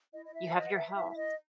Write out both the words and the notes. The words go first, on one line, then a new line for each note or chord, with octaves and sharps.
You have your health.
E4 D#5
D#5
E5
B4 D#5
F#5
E5
E4 E5
E5
D#5